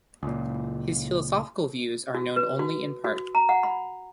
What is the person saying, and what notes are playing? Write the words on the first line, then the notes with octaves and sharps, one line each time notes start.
His philosophical views are known only in part.
C#2 A#2
F#4
B4
F#4
F#4
A#5
F#5
B5